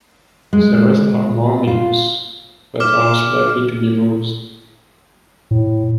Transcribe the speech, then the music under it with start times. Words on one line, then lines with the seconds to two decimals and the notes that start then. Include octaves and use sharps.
The rest are more ambiguous, but are also likely to be moose.
0.53 G#3
1.67 F4
2.80 D6 F6 E7
5.51 A2